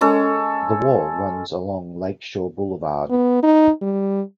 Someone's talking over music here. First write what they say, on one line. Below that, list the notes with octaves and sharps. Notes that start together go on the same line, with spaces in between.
The wall runs along Lakeshore Boulevard.
G#3 C#4 A4
B3
D#4
G3